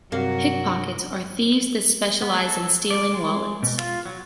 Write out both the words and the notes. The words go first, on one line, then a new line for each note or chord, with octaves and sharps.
Pickpockets are thieves that specialize in stealing wallets.
G2 C3 F#3 G3 A#3 F#4
B3
A4
D5
G#3
B2
F4
F#3